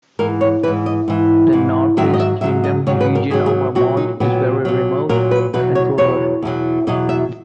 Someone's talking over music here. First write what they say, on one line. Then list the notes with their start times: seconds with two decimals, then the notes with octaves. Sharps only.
The Northeast Kingdom region of Vermont is very remote and rural.
0.19 G#2 E3 A#4
0.41 C#5
0.63 G#2 E3 B4
0.86 D#5
1.08 G#2 E3
1.53 G#2 E3
1.97 G#2 D#3 F#3 E5
2.14 D#5
2.20 E5
2.41 G#2 D#3 F#3 E5
2.64 D#5
2.87 G#2 D#3 F#3 C#5
3.01 B4
3.15 A#4
3.30 G#2 D#3 F#3 G#4
3.46 G#4
3.75 A#2 F#3 F#4
3.97 D#4
4.20 A#2 F#3 B3
4.65 A#2 F#3
5.09 A#2 F#3 A#4
5.31 B4
5.53 E2 B2 F#3 B4
5.75 C#5
5.98 E2 B2 F#3 C#5
6.43 E2 B2 F#3
6.87 E2 B2 F#3 D#5
7.09 E5